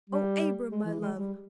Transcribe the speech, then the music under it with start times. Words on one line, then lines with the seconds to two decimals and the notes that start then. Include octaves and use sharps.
Oh, Abram, my love!
0.10 G3
0.71 G#3
0.85 E3
1.00 G#3
1.17 G3